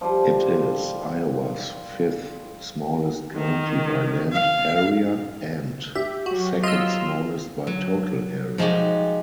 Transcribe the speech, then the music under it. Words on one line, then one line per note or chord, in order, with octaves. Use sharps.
It is Iowa's fifth-smallest county by land area and second-smallest by total area.
F3 G3 C5
D#3
F5
G4 E5
F#3 F#4
F4 D#5 C6 E6
F#3
F3 G#3 D#4 F#4 G4